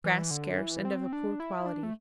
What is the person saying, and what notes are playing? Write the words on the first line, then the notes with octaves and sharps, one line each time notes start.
Grass scarce and of a poor quality.
E3
D3
E3
C4
D4
E4
D4
A3